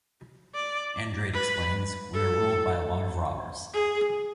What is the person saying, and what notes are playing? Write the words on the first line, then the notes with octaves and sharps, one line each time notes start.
Andrade explains, We are ruled by a lot of robbers.
D5
B4
A4
G#4